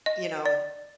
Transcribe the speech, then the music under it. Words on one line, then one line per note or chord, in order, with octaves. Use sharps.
you know,
D#5
D5